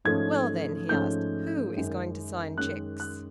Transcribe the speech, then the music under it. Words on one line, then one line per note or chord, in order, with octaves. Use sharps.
"Well then," he asked, "who is going to sign cheques?"
G#2 F3 A3 C#4 G#6
G#2 F3 A3 C#4 G6
F#2 D#3 G#3 C#4
F#2 D#3 G#3 C#4 F#6
F#6